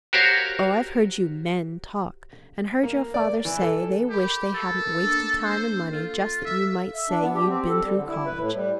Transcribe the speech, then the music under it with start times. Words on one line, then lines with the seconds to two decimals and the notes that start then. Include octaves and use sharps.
Oh, I've heard you "men" talk, and heard your fathers say they wish they hadn't wasted time and money just that you might say you'd been through college.
0.13 F#4 G4 A#4 C5 C#5 F5
2.83 A#3
3.14 D5
3.45 E3
3.62 A4
4.10 G4 A#4 B5
4.54 A4
4.99 A#3 D4 E6
5.44 C5
5.93 F4 A4 F5
6.45 E5
6.94 E5
7.10 D4
7.22 B3
7.35 G4
7.49 C4
7.68 A4
7.84 G3
7.96 D3
8.08 E4
8.26 B4
8.38 A2
8.54 G3